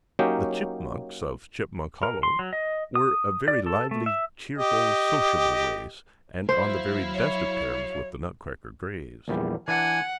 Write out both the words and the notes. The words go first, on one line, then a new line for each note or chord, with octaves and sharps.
The Chipmunks of Chipmunk Hollow were a very lively, cheerful, sociable race, and on the very best of terms with the Nutcracker Grays.
F#3 A#3 C#4 D#4 G4
A#4
C6
F#3
D#5
D#6
D5
A4
A3
E5
G4 D#5
F#3 E4 C5 F5
C#5
A#1 E2 G3
E3 D4 F#5 G#5